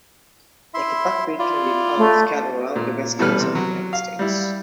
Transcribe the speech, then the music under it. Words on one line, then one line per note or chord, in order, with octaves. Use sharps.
Naked buckwheat can be found scattered around the west coast of the United States.
E4 E5 C6
E4 F4 D5
A3
A#2
B2 E3 G3 A4 B4 F6
C3
F#3
F5
G3 E4